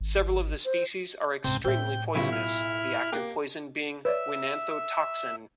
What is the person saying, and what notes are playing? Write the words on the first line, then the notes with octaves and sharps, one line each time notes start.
Several of the species are extremely poisonous, the active poison being oenanthotoxin.
G#1
C5
C#2 G#2 C3 G5
A2 C4 C5 E5 G5
B1 C#3 E4 F4 B5
F6
A#3 G4 G5 F#6
B4 C#5 D5 E5